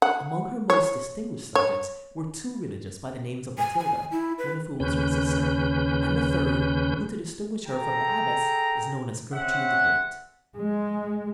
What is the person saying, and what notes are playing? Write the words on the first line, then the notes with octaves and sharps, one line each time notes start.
Among her most distinguished subjects were two religious by the name of Matilda, one of whom was her sister, and a third, who, to distinguish her from the abbess, is known as "Gertrude the Great."
F#5
C#5
C#5
G#5
G#5
E4
B4
D#2 C#3 C#4 B4 G6
G#4 A4 G5 A#5
C4 C#4 E5 F#5
G#3